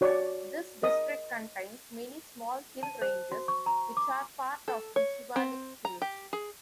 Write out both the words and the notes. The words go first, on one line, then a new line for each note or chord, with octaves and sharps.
This district contains many small hill ranges which are part of the Shivalik Hills.
F#4 C#5 D5 C#6
A#4 D#5 D#6
A5
C5
F#4
C#6
A#5
D6
A4
C#5
C4
A#5
G4
G#4